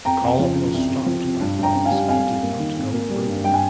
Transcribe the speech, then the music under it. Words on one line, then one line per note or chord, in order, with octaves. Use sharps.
The column was stopped by floods and did not go further.
F2 G5 A#5
F2
F3
C#3
C2
C2
F3
C3
G2
G2 G5 A#5
C#4
F5 G#5
G3
F2 F5 G#5
F2
A#3
D#3
G#1
A#3
G3
G2
G2 G5
G#5